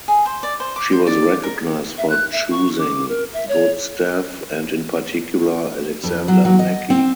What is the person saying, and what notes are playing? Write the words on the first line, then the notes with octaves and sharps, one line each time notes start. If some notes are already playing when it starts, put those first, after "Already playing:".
She was recognised for choosing good staff and in particular Alexander Mackie.
G#4
C5
D5
C5
D6
C5
D5
A#4
E5
F#6
E5
C#6
D6
A#4
E5
C#5
F2
F#3
F#3
D#5
C4